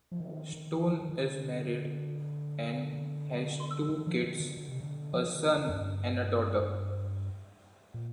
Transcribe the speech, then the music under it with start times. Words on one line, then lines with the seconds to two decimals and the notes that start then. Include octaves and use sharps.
Stone is married and has two kids, a son and a daughter.
0.12 F3
0.20 D#3
0.53 D#3
1.09 D#3
1.21 D3
3.90 D#3
4.07 F3
4.24 D#3
4.40 D3
4.57 D3
4.68 C3
4.80 D3
5.13 F3
5.24 D#3
5.41 D3
5.58 D3
5.68 F2
5.75 G2
6.59 G2
7.94 A#2